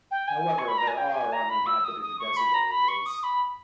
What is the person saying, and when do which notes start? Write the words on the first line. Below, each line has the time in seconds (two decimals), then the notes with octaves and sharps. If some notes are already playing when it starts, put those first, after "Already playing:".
However, there are uninhabited desert areas.
0.11 G5
0.28 G#5
0.58 C#6
0.68 B5
0.78 A#5
0.87 G#5
0.97 G5
1.14 G#5
1.33 A#5
1.50 B5
1.66 E6
1.85 D#6
2.02 D#6
2.19 C#6
2.37 B5
2.54 A#5
2.71 B5
2.88 C#6
3.06 D#6
3.23 B5